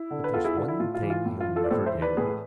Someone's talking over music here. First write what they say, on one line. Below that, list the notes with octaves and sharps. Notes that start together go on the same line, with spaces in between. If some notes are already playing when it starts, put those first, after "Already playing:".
But there's one thing he'll never do.
Already playing: E4
D3
B4
E2 F4 A4
E4 G#4
D3 F4
E4
A2 F4
F4
E3
F4
A2
F4
E3
F4 A4
D5
A2 A4 C5
C5 E5
E3
B4 D5
A2 G#4 B4